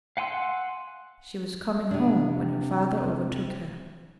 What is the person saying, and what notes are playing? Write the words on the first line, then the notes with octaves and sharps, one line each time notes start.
She was coming home when her father overtook her.
F5 F#5 G#5 C6 E6
C3 D4